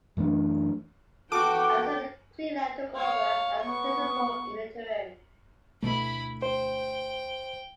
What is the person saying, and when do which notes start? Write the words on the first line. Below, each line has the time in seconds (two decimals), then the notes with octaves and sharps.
Alison Cleland took over as principal in the interim.
0.17 F#2 E3 A3 D4
1.32 B3 F#4 A4 G5 D6
2.96 C#5 F5
3.60 B3 C#6
5.82 D2 B2 A3 E4 B5
6.42 C5 G5